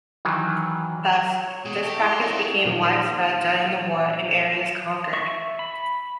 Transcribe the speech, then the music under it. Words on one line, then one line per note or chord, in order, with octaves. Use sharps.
Thus, this practice became widespread during the war in areas conquered.
D#3 E3 F#3
C#5 C#6
B2 G#3 G#4
A3 G4
E4 F#4 D5
C4 D#4 A#4 C#5
A#2 D#3 F3
E5 C#6
B5